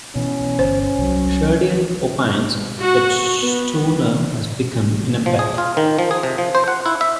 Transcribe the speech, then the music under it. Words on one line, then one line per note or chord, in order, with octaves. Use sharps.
Sheridan opines that Stoner has become an empath.
B2 E3 C#4
G1 C5
C2 F#3
F#4
B3
F3
G#4
F4
D#3
F3
G#4
C3
F3
C5
F#5
E4
E5